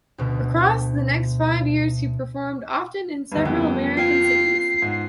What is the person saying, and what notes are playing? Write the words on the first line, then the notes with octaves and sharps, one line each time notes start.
Across the next five years he performed often in several American cities.
D2 B2
D2 G2 E3 G3 B3
F2 C#3 G3 A#3 B3
F4 G5 G#6 C7
G#2